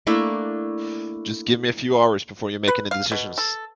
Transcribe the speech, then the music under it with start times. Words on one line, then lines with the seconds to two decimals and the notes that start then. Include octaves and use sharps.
Just give me a few hours before you make any decisions.
0.07 A3 A#3 D4 E4
2.68 B4
2.91 F5
3.12 B2
3.38 A4